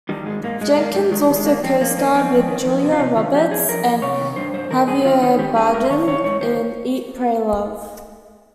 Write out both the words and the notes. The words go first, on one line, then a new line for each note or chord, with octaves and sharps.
Jenkins also co-starred with Julia Roberts and Javier Bardem in "Eat Pray Love".
D#3 G3
G#2 G#3
G#2 A#3
G#2 G#3
D#3 A#3
G#2 G3
D#3 G#3
D#3
G#3
G#2 A#3
F2 C4
F2 A#3
D#3 A#3
F2 C4
F2
D#3
F2
C3
F4
C3 D#4
D#3 F4
F2 G4
F2 G#4
F2 A#4
F2
C3 C#5
D#3
G2 C5
G2 C5
D#3 A#4
G2 G#4
D#3 F4
D#3 D#4
D#3 G4
G2 G#4
G#2 A#4
C5
D#3 C#5
D#3 C#5
G#2 C#5
D#3 C5